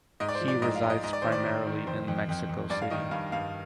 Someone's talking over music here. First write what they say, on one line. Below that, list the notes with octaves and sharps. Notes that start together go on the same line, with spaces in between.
He resides primarily in Mexico City.
G#2 D#5
D5
C5
F3
D5
G#2 D#5
F5
G#2
D#5
G#2 D#5
D5
D#3 C5
D5
G#2
D#3
F2 C5
F2
F2
F2
G2 D5
F5
D#3 D#5
G2 F5
G2 F5